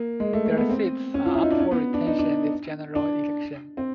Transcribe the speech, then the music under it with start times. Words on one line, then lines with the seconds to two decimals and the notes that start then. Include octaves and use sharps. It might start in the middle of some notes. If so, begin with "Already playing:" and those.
Their seats are up for retention this general election.
Already playing: A#3
0.20 G#3
0.33 A3
0.45 A#3
0.57 B3
0.70 C4
1.14 C#4
1.25 F4
1.34 E4
1.43 D#4
1.51 D4
1.60 C#4
1.71 B3
1.94 D4
2.07 D#4
2.19 D4
2.95 D4
3.77 C4